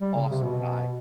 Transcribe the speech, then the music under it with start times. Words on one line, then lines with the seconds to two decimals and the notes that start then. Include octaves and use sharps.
awesome guy,
0.01 G3
0.15 C#3
0.30 C3
0.43 B2